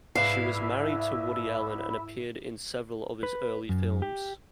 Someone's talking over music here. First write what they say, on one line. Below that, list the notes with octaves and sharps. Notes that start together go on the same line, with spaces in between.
She was married to Woody Allen and appeared in several of his early films.
C2 G#2 E4 B4 E5 F5
B4
F#2
G4